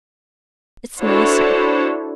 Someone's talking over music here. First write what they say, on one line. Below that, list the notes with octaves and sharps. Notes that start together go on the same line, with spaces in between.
"It's nicer."
D4 E4 F#4 A4 C5 C#5